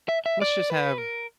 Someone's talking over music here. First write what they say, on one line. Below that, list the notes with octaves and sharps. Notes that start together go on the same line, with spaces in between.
let's just have,
E5
E5
D5
B4
A#4